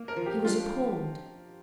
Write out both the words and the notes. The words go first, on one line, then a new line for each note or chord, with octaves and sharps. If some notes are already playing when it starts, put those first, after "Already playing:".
He was appalled.
Already playing: A#3
A#4
F3
G4
D4 F4